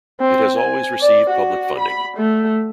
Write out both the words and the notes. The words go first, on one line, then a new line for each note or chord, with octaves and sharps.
It has always received public funding.
C4
G#5
D5
F#4
B5
A3